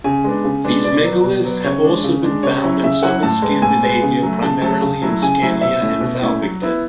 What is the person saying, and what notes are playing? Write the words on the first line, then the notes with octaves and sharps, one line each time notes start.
These megaliths have also been found in southern Scandinavia, primarily in Scania and Falbygden.
C#3 G#5
G#3 B3 D4
C#3
G#3 B3 D4
B2 D5
F#3 B3
B2
F#3 B3
C#3 C#5
G#3 D4
C#3
G#3 D4
C#3 C#5
F#3 C#4 E4
C#3 E5
F#3 C#4 E4 F#5
A2 A5
G#3 B3
A2 G#5
G#3 B3
C#3
F#3 A3
C#3 A5
F#3 A3 A5
C#3
F#3 A3 E4
C#3 G#5
F#3 A3 E4
B2 E5
A3 C#4 E4
B2
A3 C#4 E4
F#3
B3 E4